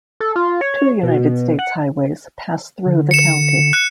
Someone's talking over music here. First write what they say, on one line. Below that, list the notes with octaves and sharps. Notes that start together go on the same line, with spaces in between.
Two United States highways pass through the county.
A4
F4
C#5
B2
F#5
D3
C#7 E7
F#6 C#7